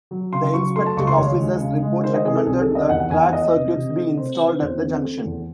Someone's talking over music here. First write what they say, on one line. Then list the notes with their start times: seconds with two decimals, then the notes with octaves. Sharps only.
The Inspecting Officer's report recommended that track circuits be installed at the junction.
0.11 F#3
0.33 C#3 C6
0.54 F#3 C#6
0.76 A3 C6
0.86 A5
0.97 C#2 C#6
1.07 C6
1.18 D#2 C#5
1.40 G#3
1.61 C#3
1.82 G#3
2.04 D#3 C5
2.14 D#5
2.25 C3 G#4
2.35 A4
2.47 C2 G#4
2.61 A4
2.69 D#3
2.75 D#5
2.89 E2 F#5
3.00 F#5
3.10 E2 G#5
3.22 F#5
3.32 E2 D#5
3.54 C3
3.75 C3
3.96 A3
4.18 C3 C5
4.39 E3
4.60 E2 C5
4.82 C4
5.03 A3
5.25 E2